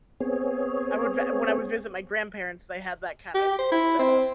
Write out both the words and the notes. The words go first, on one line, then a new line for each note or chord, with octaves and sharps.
I would vi when I would visit my grandparents, they had that kinda set up.
B3 C4 G#4 C#5
G4
C5
E4
C4